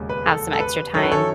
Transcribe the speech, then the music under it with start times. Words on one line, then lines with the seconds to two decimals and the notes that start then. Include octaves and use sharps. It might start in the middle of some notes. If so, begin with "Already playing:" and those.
have some extra time,
Already playing: E1 D#2 C#3 G#3
0.09 B4
0.26 A4
0.53 A4
0.60 B4
0.94 F#2 D#3 F#3 C#4 E4 A4 C#5
1.03 B4
1.12 A4 C#5